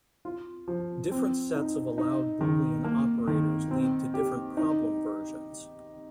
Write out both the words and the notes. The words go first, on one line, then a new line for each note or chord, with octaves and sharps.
Different sets of allowed boolean operators lead to different problem versions.
F4
F3
C4
D#4
D#4
D#3
A#3
D#3
C4
G4
D#4